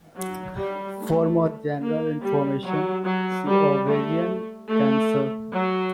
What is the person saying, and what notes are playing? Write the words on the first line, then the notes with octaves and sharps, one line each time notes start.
For more general information, see ovarian cancer.
F#3
G3
A3
A#3
G3
F#3
F#3
G3
A3
A3
F#3